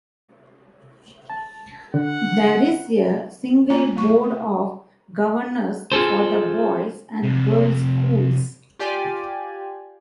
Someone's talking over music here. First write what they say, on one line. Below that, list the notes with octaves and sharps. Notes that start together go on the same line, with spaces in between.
There is a single board of governors for the boys' and girls' schools.
A5
D3 F#5
A#3 B3 F4 D5 A#5
A3 C#6
F4 G#4 A4 C5
F2 C3
F4 G4 D5 G#5